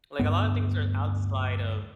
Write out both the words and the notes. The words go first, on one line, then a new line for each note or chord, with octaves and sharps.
Like a lotta things are outside of,
D2 G2 B3